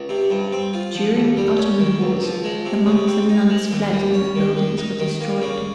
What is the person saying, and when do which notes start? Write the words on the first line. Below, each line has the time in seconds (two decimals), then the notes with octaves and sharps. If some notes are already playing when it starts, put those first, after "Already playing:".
During the Ottoman wars the monks and nuns fled and the buildings were destroyed.
Already playing: C#2
0.09 C3
0.30 G2
0.52 C4
0.74 F4
0.95 F3
1.16 D#2
1.37 G3
1.58 C#4
1.80 D#3
2.01 C#2
2.22 F3
2.44 G#3
2.66 C3
2.86 C#3
3.07 C4
3.29 D#4
3.50 G#3
3.72 D#2
3.93 G3
4.14 C#4
4.36 D#3
4.57 D#3
4.78 D#4
5.00 D#3
5.21 A#3
5.42 C#3